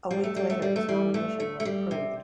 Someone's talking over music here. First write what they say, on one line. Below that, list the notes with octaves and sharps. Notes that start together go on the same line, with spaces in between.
A week later, his nomination was approved.
G3
A3
G3
A3
G3
A3
G3
A3
A3
A3
G3
C3